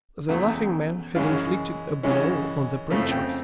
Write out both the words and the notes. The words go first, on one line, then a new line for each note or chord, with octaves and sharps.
The Laughing Man had inflicted a blow on the preachers.
E2 C#3 F#3 A3
F#2 C#3 E3 G#3 C#4 F5
F#2 C#3 E3 G#3 C#4
F2 C#3 F3 A3
G5